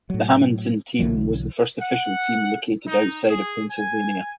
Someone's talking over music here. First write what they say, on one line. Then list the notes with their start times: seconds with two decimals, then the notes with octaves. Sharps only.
The Hammonton team was the first official team located outside of Pennsylvania.
0.10 A2 F#3
0.99 B1 D3 E3 F#3
1.81 F#5
2.87 D#4
3.29 G#4
3.71 G#5